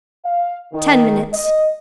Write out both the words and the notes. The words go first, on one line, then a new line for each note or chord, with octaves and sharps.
Ten minutes.
F5
D#3
D#5